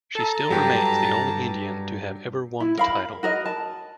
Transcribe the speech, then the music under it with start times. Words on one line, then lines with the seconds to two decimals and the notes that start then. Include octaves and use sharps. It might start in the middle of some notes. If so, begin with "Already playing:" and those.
She still remains the only Indian to have ever won the title.
0.15 A4 A5 A#5
0.50 G2 F#3 G4
2.60 E4
2.78 A#4 F5 B5
3.23 F#4 A#4 D#5
3.46 A5